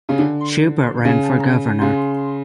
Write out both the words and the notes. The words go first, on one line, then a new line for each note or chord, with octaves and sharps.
Shubert ran for Governor.
C#3
D3
C#3
C#3